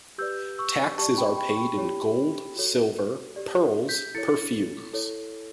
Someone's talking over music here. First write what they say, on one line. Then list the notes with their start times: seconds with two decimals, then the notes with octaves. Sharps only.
Taxes are paid in gold, silver, pearls, perfumes.
0.18 G4 B4 D5 E6 G6
0.58 C#6 E6
0.98 G4 A5 C#6
1.02 D5
1.18 G5 B5
1.37 G5 B5
1.50 C#6
1.57 G5 B5
1.78 E4 G4 C#5
2.56 F#4 A4 C#5
3.36 G4 D5
3.89 G6 B6
4.15 E4 A4 C#5 A6 C#7
4.93 E4 A4 C#5